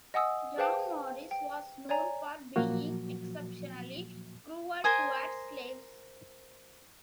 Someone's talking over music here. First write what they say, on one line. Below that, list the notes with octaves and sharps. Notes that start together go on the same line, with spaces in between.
John Maurice was known for being exceptionally cruel towards slaves.
D#5 F#5 G#5 D#6 E6
G#4 B4 C5 F5 G5 A5
G5
C#5 D5 G#5 A#5
A#2 F3 F#3 A#3 F#4
A#4 C5 G#5 D#6